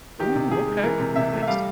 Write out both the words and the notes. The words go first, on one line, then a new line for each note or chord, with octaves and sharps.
Ooh, okay, nice.
D#3 G4
C3
C3 G#4
G#3
E3 A#4
C3
C3 E5
A3
E5
G3 F5